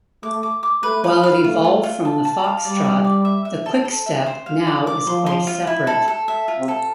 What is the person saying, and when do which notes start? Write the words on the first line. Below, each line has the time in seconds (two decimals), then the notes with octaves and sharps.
While it evolved from the foxtrot, the quickstep now is quite separate.
0.23 A3 D6
0.43 D6
0.63 D6
0.83 A3 B4
1.04 B4
1.24 F5
1.44 A3 F4
1.64 F4
1.83 F4
2.05 A5
2.25 A5
2.44 F5
2.65 G3 D5
2.85 D5
3.04 D6
3.25 E5
3.45 E5
3.66 A4
3.85 A4
4.06 E5
4.26 C5
4.46 F5
4.67 D5
4.87 D6
5.06 F3 C6
5.26 C6
5.47 F4
5.67 E4
5.87 A4
6.08 A4
6.28 E5
6.48 F4
6.58 C3
6.68 A4